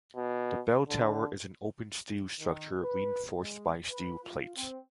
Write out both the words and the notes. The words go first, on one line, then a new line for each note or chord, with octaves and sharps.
The bell tower is an open steel structure reinforced by steel plates.
B2
D3
D#3
B4
G#3
B4
F4
C4